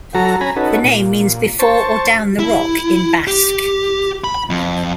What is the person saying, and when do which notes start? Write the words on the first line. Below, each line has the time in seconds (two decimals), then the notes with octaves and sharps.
The name means 'before or down the rock' in Basque.
0.15 F#3 F#4 A4 A#5
0.41 C#4 G#5 A#5 B5
0.56 C#4 D#4 F#4 A4 B4
0.84 A#2
1.59 C5 A5 C#6
2.39 E4
3.27 G4
4.24 B5
4.50 F2